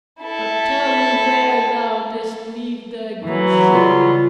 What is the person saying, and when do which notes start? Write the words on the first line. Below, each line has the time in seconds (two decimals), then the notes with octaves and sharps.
But tell me where thou didst leave thy good ship?
0.21 E4 A4
3.24 E3 F#3
3.72 C#3 G3 F4